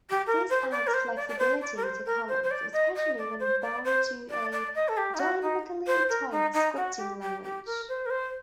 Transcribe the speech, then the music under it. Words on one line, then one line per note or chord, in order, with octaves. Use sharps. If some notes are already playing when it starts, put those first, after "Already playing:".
This adds flexibility to columns, especially when bound to a dynamically typed scripting language.
G4
A#4
C5
D5
A#4
C5
D5
D5
C5
D5
A#4
C5
A#4
C5
C5
D5
D#5
D#5
D5
C5
D5
C5
D5
D5
D#5
A4
G4
D#4
F#4
D#4
C5
A#4
D#4
D#4
F#4
G4
G4
G4
A#4
C5
A#4
C5